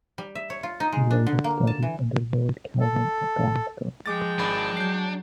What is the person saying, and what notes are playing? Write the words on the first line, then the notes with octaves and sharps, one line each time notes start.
He later studied under Lord Kelvin at Glasgow.
G3
E5
C#5
F4
D#4
G#3
D4
D3
A#3
A5
E3
A4
F3 G#3 G5 D6 A6
G#1 D4 B5
F#3 G6 C7